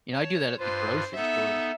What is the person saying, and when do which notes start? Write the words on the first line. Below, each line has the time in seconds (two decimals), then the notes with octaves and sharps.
You know, I do that at the grocery store.
0.12 C#5 A5
0.59 G2 F4 B4 C5
1.15 B3 D#4 A4 E5